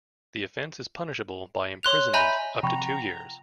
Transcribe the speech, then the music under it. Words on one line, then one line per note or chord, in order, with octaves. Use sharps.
The offense is punishable by imprisonment up to two years.
C#5 C6 F#6 F7
D#5 E5 G#5 A#5 B5 G6
C3 F3 F#5 G5 A#5 B5 C#6